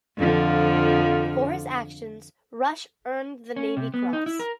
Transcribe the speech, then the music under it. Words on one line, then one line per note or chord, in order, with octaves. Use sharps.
For his actions, Rush earned the Navy Cross.
F2 D3 F3
C#4
C3
B3
D#4
E4
A#4